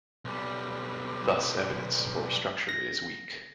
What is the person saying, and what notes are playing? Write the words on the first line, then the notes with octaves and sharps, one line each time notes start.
Thus evidence for structure is weak.
B1 G3
A#6